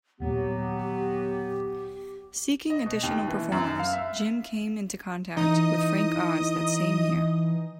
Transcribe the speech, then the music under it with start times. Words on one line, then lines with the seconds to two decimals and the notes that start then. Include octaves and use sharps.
Seeking additional performers, Jim came into contact with Frank Oz that same year.
0.20 D#1 D#2 A#2 F#3 B3 G4
2.70 D#5
2.86 B2
3.03 D#2
3.28 E3
3.52 F#2
3.79 F5
3.93 E5
5.37 E3 D#4 D#5 D#6